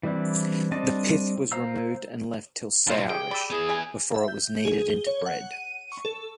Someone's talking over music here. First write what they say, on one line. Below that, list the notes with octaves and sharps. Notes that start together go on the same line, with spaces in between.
The pith was removed and left till sourish, before it was kneaded into bread.
E3 G3 C4 D4 E4
G3 C4 D4 D#5 A5
C5 F5 A#5 E6
F#2 B2 E4 C5 F5 A5
G4 G#4 G5
D5 B5 E6
B3 E4 G#4
G4 G#5
E5
G6
G#4
G7
C#5
F#5
D#7
C#6
A4